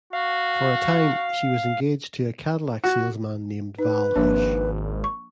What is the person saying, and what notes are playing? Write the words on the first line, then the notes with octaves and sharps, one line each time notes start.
For a time, she was engaged to a Cadillac salesman named Val Hush.
F#4 F5
F#4
D#4 B4
G#1 F3 A#3 D4
C#6